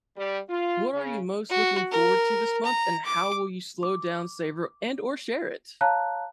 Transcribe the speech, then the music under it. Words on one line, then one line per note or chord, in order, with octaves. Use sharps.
What are you most looking forward to this month, and how will you slow down, savor, and or share it?
G3
F4
C#3
F#4
A#4
A#5
D6
D6
C#5 F5 A5 A#5 F#6